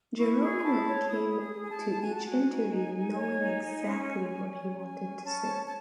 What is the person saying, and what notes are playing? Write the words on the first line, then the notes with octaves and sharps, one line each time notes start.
Geronimo came to each interview knowing exactly what he wanted to say.
E4 C#6
G#4
C6
E4 A5
C#5
E4 D#6
G#4
D#6
G#4
G#5
A5
E4
F#4 G#5
A5
F#4 G#5
D#4
D#4
D#4
C#5
D#4
D#4
C#4
C#5
C#4
C#5
C#4 G#5
C#4
C#4 A5
C#5
A5